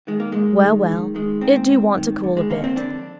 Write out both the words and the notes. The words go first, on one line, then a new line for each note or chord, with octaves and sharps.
'Well, well; it do want to cool a bit.
D#3 G#3
A#3
G#2 G#3
D#3
D#3
D#3 G#3
G#2 C4
G#2
D#3
D3
G#3
D3 A#3
C4
F2 D4